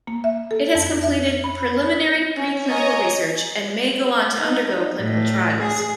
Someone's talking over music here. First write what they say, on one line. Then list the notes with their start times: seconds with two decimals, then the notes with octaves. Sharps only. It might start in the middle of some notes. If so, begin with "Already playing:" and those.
It has completed preliminary preclinical research and may go on to undergo clinical trials.
0.07 A#3
0.24 E5
0.51 A4
0.75 F2
1.03 E5
1.44 B5
2.36 C#4
2.69 C#5 D#5 G#5 A#5
4.37 D#4
4.99 A2
5.63 G#4